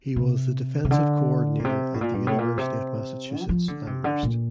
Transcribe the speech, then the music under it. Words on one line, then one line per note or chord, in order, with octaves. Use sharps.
He was thedefensive coordinator at the University of Massachusetts Amherst.
C3
C3
D3
A#2
C3
A2
A#2
G2
A2
A#2
C3
G3
F3
D3
C3
D3
A#2